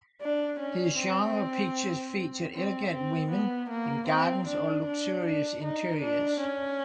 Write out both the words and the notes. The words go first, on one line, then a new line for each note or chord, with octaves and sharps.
His genre pictures featured elegant women in gardens or luxurious interiors.
D4
C#4
C4
C4
C4
B3
A#3
C4
D4
D4
D4
D#4
D4
C#4